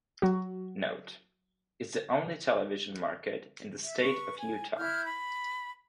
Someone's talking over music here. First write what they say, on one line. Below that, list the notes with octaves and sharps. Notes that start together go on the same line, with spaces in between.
Note: is the only television market in the state of Utah.
F#3 F#4
E5
B4 C#6
G#5
E4 F6 G6
B5